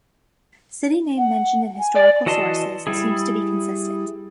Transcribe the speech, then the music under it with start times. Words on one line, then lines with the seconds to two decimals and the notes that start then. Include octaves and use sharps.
City name mentioned in historical sources, seems to be consistent.
1.18 F#5
1.79 G#5
1.95 D5
2.26 E3 F#4 D#5 A5 C6
2.87 G3 E4 G#4